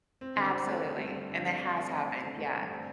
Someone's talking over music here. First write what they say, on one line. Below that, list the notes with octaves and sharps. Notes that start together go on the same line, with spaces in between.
Absolutely, and it has happened, yeah.
C4
D3
C4
A3
C4
G2
G2
D3
C4
C4
C4
A3
C4
D3
A3
G2
C4